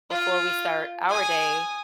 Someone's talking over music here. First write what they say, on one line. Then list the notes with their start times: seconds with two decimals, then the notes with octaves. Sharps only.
before we start our day,
0.11 F4
1.09 G#5 D#6